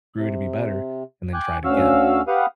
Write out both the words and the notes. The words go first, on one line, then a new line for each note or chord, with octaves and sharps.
grew to be better, and then tried again.
C3
G5 G#5 D6 F#6
D2 C#4 F#4 F5 E6
G4 B4 F5 F#5 D#6